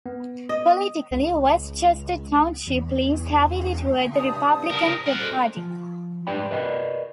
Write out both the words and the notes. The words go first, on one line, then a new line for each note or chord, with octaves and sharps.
Politically, West Chester Township leans heavily toward the Republican Party.
B3
D#5
C#2
E2
G2 A5 D#6
E4 A#4
A#4 F#5
D2 G#2 C5
F3
G#2 G4 B4 D5 G5 B5
A#4 B4 D5 D#5 F#5 B5